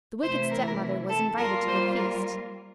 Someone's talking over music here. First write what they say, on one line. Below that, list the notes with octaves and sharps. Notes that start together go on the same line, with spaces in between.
The wicked stepmother was invited to the feast.
C3 E3 A3 E4 C5
A#4
A4
G3 A#3 F4 A#4
C5
A#4